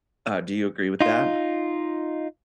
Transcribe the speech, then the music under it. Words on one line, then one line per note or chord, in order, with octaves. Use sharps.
Uh, do you agree with that?
D#4 F4